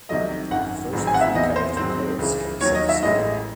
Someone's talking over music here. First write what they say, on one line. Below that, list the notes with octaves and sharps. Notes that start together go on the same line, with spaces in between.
The first three character codes can be set to zero.
C2 C3 D#3 F#3 A3 D#5
G#1 F#2 D#3 F#5
A1 G#2 D#3 F#3 C4
G#5
F#5
E5
E2 C3 E3 D#5
C5
G#2 D#3 F#3 C4 C5
C#2 C#3 E3
D#2 D#3 F#3 C#5
D#5
E5
A1 A2 E3 G#3 D#5